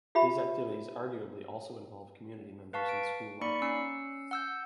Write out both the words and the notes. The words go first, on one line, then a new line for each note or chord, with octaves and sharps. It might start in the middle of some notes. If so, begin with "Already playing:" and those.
These activities arguably also involve community members in school life.
F4 G4 E5 B5
B4 F5 A5 C#6 B6
D7
A#3 D#4 D5 B5 C#6 C#7
C#4 E6 C7 C#7
F#5 E6 G6